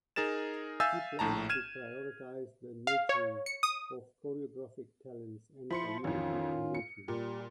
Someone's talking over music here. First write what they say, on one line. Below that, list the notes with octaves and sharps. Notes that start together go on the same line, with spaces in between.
She plans to prioritize the nurturing of choreographic talents and community engagement.
D#4 G#4 A#4 A6 E7
E5 F5 G#5 E6 G6 A6
A#1 A2 A5 A#5
F6 G#6 D#7 E7
F5
C#5
C#7
D#6
F3 E4 B5 C6 C#7
A1 F2 D#3 C#4 F4
C#7
A#2 G3 G4